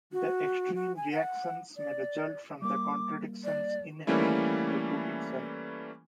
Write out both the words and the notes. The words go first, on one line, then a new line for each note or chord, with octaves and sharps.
The extreme reactions may result from the contradictions inherent in the book itself.
F#4
F#4
G#5
F#5
D5
G3 A#3 D6
D5
E3 G3 A3 A#3 C#4 E4